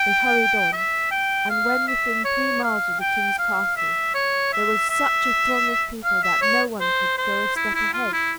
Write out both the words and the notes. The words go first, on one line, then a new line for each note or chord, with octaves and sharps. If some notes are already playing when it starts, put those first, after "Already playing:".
They hurried on; and when within three miles of the king's castle there was such a throng of people that no one could go a step ahead.
Already playing: G5
E5
G5
F5
E5
C#5
F5
G5
F5
E5
C#5
E5
E5
F5
E5
C#5
C5
C5
E4
E4
F4
E4